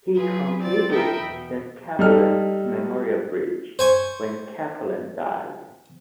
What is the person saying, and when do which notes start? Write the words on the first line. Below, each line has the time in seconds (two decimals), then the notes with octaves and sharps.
He completed the Cappelen Memorial Bridge when Cappelen died.
0.15 F#3 F4 G#4 B4
0.59 C4 D5 A6
0.90 A4 A#4 D#5 E5 G5 B5
1.20 E2 B2
1.99 G3 D#4 A4 F6
3.79 C5 G#5 C#6